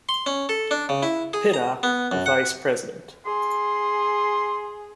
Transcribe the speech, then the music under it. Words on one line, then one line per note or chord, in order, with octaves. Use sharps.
Pittock, vice president.
C6
C#4
A4
D4
C#3
E4
G#4
A#5
B3
F#2
F#5
G#4 C6